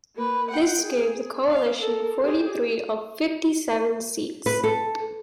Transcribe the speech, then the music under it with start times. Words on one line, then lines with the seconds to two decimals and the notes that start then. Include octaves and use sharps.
This gave the coalition forty-three of fifty-seven seats.
0.16 A#3 B4
0.51 F#5 G5
0.82 G#4
1.49 F5
1.80 A4 A#4
2.22 G4 G#4
4.46 B4
4.64 A4